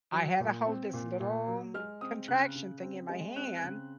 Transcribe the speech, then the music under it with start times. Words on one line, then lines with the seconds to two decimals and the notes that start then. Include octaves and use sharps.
I had to hold this little contraction thing in my hand
0.12 F#3
0.40 A#2
0.66 C4
0.93 A#2
1.20 A#2
1.47 F#3
1.74 G#3 F6
2.01 C4 D#6
2.28 C#3 F#6
2.55 C#3
2.82 C4
3.09 G#3
3.36 C4 F#6
3.57 F#6
3.63 C#3